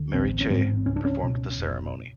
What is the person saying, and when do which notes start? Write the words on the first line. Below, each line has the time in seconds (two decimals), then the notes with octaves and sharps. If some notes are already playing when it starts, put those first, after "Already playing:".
Mary Cheh performed the ceremony.
Already playing: D2 D3
0.14 A1 C4
0.41 C#4
0.50 G#2 C4
0.86 C#2 C#4
0.96 D4
1.05 C#4
1.23 B2
1.58 F1